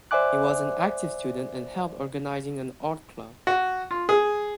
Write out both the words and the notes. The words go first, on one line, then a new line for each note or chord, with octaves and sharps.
He was an active student and helped organizing an art club.
C5 D5 E5 G#5 D6 F#6
F#4
F4
G#4